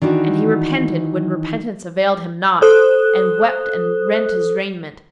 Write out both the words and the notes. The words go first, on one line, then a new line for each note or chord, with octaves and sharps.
And he repented when repentance availed him naught, and wept and rent his raiment.
D#3 E3 D4 F#4
A4 C5 D#6 F#6